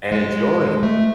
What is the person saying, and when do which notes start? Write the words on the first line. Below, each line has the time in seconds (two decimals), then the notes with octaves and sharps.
And enjoyed.
0.12 G#3
0.83 A3